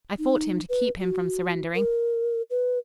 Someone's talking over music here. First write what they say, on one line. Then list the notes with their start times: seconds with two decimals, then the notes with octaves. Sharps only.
I fought him to keep him from surrendering.
0.19 D#4
0.69 B4
1.00 F#4
1.75 A#4
2.50 B4